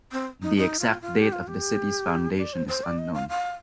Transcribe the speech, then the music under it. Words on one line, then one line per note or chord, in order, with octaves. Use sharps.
The exact date of the city's foundation is unknown.
C4
D#4
D#4
F4
F4
G4
F4
G4
D5
C5
C5
D5
D#5
F5
F5